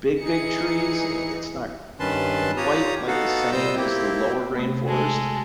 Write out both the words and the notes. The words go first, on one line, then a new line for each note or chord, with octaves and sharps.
big, big trees, i it's not quite like the same as the lower rainforest,
E3 D#4 G#4 C#7
G2 D#3 C#4 B4 A5 C6
F4 G4 C#5 A#5 D#6
B3 D#4 F#4 A4 F5 F#5
A#2 G3 C5 D#5 E6 G6
A#3 C4 E4 G4
C3 A3 B3
G#3 A4